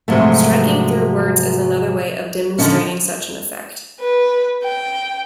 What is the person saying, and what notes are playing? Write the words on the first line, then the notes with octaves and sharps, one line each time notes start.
Striking through words is another way of demonstrating such an effect.
G#2 C3 F3 F#3 A3
D3 D#3 F3 C#4
B4
G5